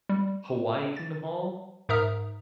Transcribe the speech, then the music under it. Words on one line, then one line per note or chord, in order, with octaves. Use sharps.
Hawaii Kingdom Hall?
G3
A6
G#2 A#4 E5 A#5 D#6 F6